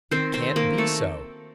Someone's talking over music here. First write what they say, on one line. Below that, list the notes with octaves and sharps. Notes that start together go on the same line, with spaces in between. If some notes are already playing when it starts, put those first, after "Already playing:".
It can't be so!
D#3 C4 C5
A3 C4 C5
D#3 A#3 A#4
F#3 A3 A4